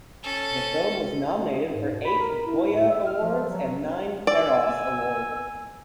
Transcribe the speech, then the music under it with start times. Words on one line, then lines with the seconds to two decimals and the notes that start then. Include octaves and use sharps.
The film was nominated for eight Goya Awards and nine Feroz Awards.
0.23 C#4 A4
1.73 G#2
1.90 B2
2.05 B5
2.20 A#4
2.46 E4
2.72 A2
2.86 E5
3.05 F6
3.21 F3
3.49 F#3
4.27 D5 G#5 E6